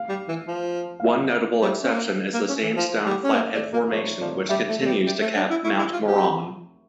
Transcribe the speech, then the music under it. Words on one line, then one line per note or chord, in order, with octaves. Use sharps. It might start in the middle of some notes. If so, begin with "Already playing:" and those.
One notable exception is the sandstone Flathead Formation which continues to cap Mount Moran.
Already playing: F5
G3
E3
F3
F5
E5
G3
C#4
A#3
A#3
C#4
E3
F3
G3
C#4
A#3 E5
A3 D5
A#3 A#4
F3 C#5
F3 D5
G3 E5
A3
A3
G3
G3
A3
D4
E4
E4 C#6
E4
F4
G4